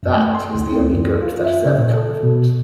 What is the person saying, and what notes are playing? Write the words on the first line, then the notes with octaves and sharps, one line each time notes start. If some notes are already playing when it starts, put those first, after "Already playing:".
That is the only good that has ever come of it.
F#2
A3
C6
D2
C4
F#2
F4
E5
C#3
A#2
A4
B2